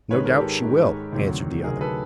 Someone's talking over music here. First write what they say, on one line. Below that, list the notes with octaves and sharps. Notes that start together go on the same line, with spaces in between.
"No doubt she will," answered the other.
G#2 D#3 G#3 B4 C#5
A#4
G4 A4
G#2 D#3 G#3
D2 C3 D#3 F#3
D2 C3 D#3 F#3 G#4 A#4
A4 B4